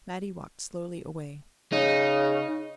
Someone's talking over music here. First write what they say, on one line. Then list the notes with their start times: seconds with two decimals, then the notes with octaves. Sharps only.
Mattie walked slowly away.
1.72 C#3 D#4